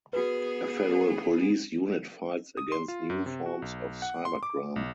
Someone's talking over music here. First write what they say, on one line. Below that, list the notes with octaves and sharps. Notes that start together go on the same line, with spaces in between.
A Federal Police unit fights against new forms of cybercrime.
B3 F#4 G#4 B4
D#6
C6
F4
F#2
C3
F#4
B1
F#5
C6
D6
B1